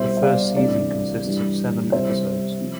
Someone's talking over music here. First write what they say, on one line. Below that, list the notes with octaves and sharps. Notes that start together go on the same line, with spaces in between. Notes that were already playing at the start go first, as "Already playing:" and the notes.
The first season consists of seven episodes.
Already playing: C2 B2 G3 C5 E5
E5
D5 F5
D2 C3 E3 G3 D5
G2 E3 G3
C2 C3 G3 C5 E5
C3 F3